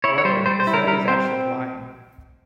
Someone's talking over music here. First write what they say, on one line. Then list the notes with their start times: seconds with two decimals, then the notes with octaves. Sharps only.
However, Zedd is actually lying.
0.04 E4 C#5
0.18 C#5
0.25 G3 C5
0.46 G3 C5
0.60 C5
0.67 E4
0.74 A#4
0.87 G3 A#4
1.08 C4 C5